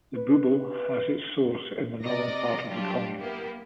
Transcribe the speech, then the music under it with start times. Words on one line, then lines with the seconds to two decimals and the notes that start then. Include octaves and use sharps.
The Bouble has its source in the northern part of the commune.
0.16 B4
2.02 C3 D5 D#5 A#5 D6 A#6
2.68 F#3 G3 D4 F4 G4
3.19 A#3 B3 E4 G4